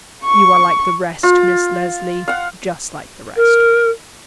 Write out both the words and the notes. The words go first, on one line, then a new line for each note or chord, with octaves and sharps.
You are like the rest, Miss Leslie; just like the rest.
C#6
F4
F5 F#5
A#4